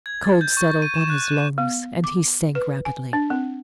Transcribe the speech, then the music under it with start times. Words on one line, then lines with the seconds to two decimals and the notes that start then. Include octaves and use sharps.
The cold settled on his lungs, and he sank rapidly.
0.06 G#6
0.24 A6
0.41 G6
0.57 C#6
0.82 D#7
0.95 E7
1.10 F#6
1.32 E7
1.58 B3
2.04 D6
2.55 B4
2.85 G#5
3.13 D4
3.30 C4